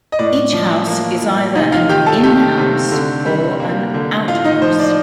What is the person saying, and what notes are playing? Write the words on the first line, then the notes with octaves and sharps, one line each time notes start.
Each house is either an 'in-house' or an 'out-house'.
D#5
A2 D5
F3
A#3
A2
C3 D#4 D#5
F4 F5
D#3 G4 G5
A4 A5
A3 G4 G5
C3
D3
G3
A#3
D3
A2 F4 F5
D#4 D#5
F3 C5
D5